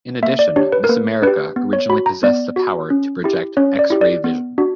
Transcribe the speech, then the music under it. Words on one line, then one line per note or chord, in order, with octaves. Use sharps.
In addition, Miss America originally possessed the power to project "X-Ray Vision".
A#3 E5
D5
D4 G4 C#5
B4
A#4
A#3 B4
D4 G4 B4
B3
C#5
F#4 B5
A#5
B3 D5
F#4
C#4
E4 G4
C#4 C#5
D5
E4 G4
D5
B3
D4 F#4